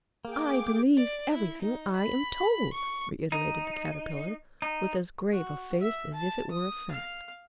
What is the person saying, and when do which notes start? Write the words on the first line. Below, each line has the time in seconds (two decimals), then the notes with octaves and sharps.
"I believe everything I am told," reiterated the Caterpillar, with as grave a face as if it were a fact.
0.25 A#3 G#4 G5 D6
0.97 D5
1.32 E4
1.63 D#4
1.96 B5
2.74 C#6
3.32 D#4
4.62 D#4
5.33 F#4
5.81 E5
6.14 A5
6.51 D#6
6.91 F5